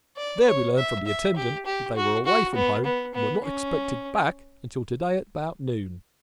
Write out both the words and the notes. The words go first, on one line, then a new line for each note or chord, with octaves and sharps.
There we learned from the attendant that they were away from home and were not expected back until to-day about noon.
D5
C#5
E5
E5
G4
G4
F#4
F#4
B3
B3
B3
C#4